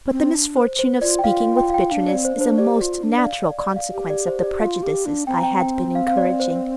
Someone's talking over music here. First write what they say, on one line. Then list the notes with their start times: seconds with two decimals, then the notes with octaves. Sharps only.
But the misfortune of speaking with bitterness is a most natural consequence of the prejudices I had been encouraging.
0.12 C4
0.34 D4
0.56 C5
0.79 C5
1.01 F4 D5
1.19 G5
1.24 F4 F5
1.41 F5
1.57 G5
1.70 F5
1.74 G5
1.91 D4 F5
2.08 D5
2.13 C4
2.25 C5
2.36 D4
2.41 C5
2.58 G4 D5
2.81 F4
3.03 D4
3.18 D5
3.26 F5
3.42 D5
3.59 D5
3.76 F5
3.93 G4
4.10 D5
4.26 C5
4.43 D5
4.60 F4 F5
4.83 G4
5.06 D4
5.27 C4 G5
5.36 A#5
5.43 G5
5.61 G5
5.95 F5
6.08 F5
6.17 D5
6.40 C5